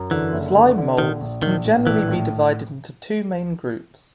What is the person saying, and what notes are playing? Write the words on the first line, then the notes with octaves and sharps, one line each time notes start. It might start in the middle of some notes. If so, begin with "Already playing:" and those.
Slime molds can generally be divided into two main groups.
Already playing: F#2
D3 E3
F#1
D3
D3
A#1 D#3
A#1
A#1 D#3
A2
A#1 E3
A2